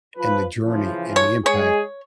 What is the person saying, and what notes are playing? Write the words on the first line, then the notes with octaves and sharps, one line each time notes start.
in the journey and the impact
F3 B4
C#3 E3 F3
C#5
G#3 G#4 C#5